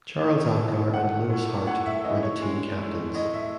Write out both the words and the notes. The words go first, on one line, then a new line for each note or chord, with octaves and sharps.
Charles Apgar and Lewis Hart were the team captains.
A2
E3
A3 F#5
A2
A2 F#5
E5
E3 D#5
C#5
G#3
A2
A2 D#5
E5